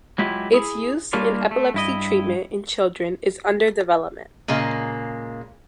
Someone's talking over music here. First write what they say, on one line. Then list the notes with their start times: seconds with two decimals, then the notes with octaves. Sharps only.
Its use in epilepsy treatment in children is under development.
0.18 F#3 G#3 E4 F4 G4
0.53 E4 G#4
1.13 G3 A#3 D4 F4 C#5
1.51 A3
1.74 G2 E4 D#5
4.48 A#2 C#3 G#3 A#3